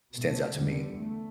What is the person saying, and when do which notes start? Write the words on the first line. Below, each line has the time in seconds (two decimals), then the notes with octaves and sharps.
stands out to me.
0.13 B2 A3
0.56 E2 D3 G3
1.00 A3